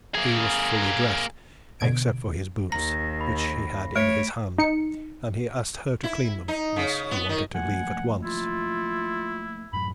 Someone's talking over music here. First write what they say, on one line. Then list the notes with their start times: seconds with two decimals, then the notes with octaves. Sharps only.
He was fully dressed, except for his boots, which he had in his hand, and he asked her to clean them, as he wanted to leave at once.
0.14 A#3 G#4
1.80 B2 D3 G#6 D7
2.72 D#2 A#5 A#6
3.21 B5
3.96 A3 C#5 B6 D7
4.58 D#4 C#7
6.03 E4
6.48 D#4
6.76 C#3
7.11 B3
7.29 D#3
7.54 F3 A3 A#3 F#5 G#5
8.24 E4 F4
9.73 F#2 A2 F#3 B5